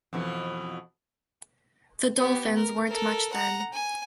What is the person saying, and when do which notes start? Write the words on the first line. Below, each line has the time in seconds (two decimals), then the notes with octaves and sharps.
The Dolphins weren't much then.
0.13 F2 B2 E3
2.16 B3 G4
2.55 A#4
2.87 A4 A#4
3.32 F#5 A#5
3.73 G#5